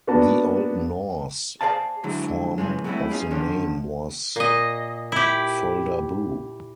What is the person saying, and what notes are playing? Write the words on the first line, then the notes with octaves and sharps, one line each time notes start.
The Old Norse form of the name was "Foldabu".
A#3 B3 D4 F#4 A5
G#4 C5 D5 F5 A5
G#2 D3 F#3 E4
C#3 E3 F3 G#3
F#3 G#3 A3 C4 C#4 E4
C#4 D#4 F4 G#4
D3 D#3 F3 C#4
A#2 D#5
E4 G4